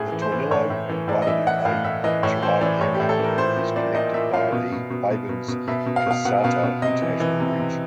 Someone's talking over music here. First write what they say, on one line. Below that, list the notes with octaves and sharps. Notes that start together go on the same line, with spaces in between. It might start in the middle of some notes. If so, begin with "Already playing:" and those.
The Tornillo and Guadalupe, Chihuahua, area is connected by the Fabens-Caseta International Bridge.
Already playing: A2 G#4
E3
C5
E3
A2 C#5
A2
E3
A2 D5
D#5
E3 E5
E3 F#5
A2 F5
A2 E5
E3 D#5
A2 C#5
E3 C5
E3 D5
A2 C#5
G4
A2
A4
E3 A#4
A#2 C5
A#2
A#2 D5
A#2 D#5
A#2 E5
A#2 F5
B2
B2
B2
B2
B2
B2
B2 E5
B2
F5
B2 F5
B2 F#5
B2 F5
B2
C3 D#5
E3
E3
C3
C3